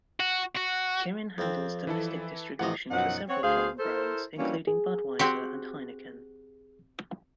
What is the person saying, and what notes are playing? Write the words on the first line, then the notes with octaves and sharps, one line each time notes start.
Kirin handles domestic distribution for several foreign brands, including Budweiser and Heineken.
F#4
F#4
F2 C4
E3 E4 A4
A1 C3 F4 D#5 F#5
F#2 B2 F3 D#4 F#5
C4 C#5 F#5
D2 G#4 C5 F5
E4 A4 A#4 C5
E3 F#3 G3 A#3 C#4 D4
G#4
C4 F#4 G4